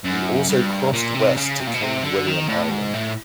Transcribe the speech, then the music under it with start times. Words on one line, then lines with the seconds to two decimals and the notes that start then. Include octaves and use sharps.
He also crossed west to King William Island.
0.05 F#2
0.49 G2
0.92 A#2
1.15 C3
1.37 C#3
1.60 C3
1.67 A#2
1.74 B2
1.82 C3
2.04 D3
2.27 D#3
2.48 A2
2.70 G#2
2.94 A2